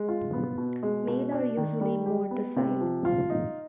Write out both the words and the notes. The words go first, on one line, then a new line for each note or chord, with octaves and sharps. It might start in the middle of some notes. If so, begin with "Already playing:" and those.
Male are usually more docile.
Already playing: G#3
F4
B3
B2
G#3
B2
D4
D#3
G3
G4
B3
C3
F3
F4
D#4